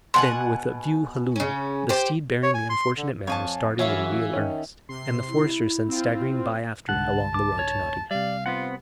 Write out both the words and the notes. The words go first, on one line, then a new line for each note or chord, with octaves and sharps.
Then, with a "view halloo," the steed bearing the unfortunate man was started in real earnest; and the foresters sent staggering by after it along the road to Nottingham.
B2 F#5 G#5 C6
C#3 C#4
G4 C5
C#5
G#5
C6
D3
F2 C#5 G#5 A5
F#2 E3 G#4 C#5 E5 F5
D#3 C#4
C3 C6 C7
E4
C4 F4
C2 G#2 D3 F#5 A5
D6
C#5
C3 G3 D5 F5
B3 C4 F4 F#5